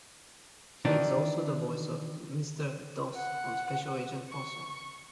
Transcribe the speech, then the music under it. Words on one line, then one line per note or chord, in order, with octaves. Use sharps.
He is also the voice of Mr. Dos on "Special Agent Oso".
D#3 E3 D4
F#5
C#6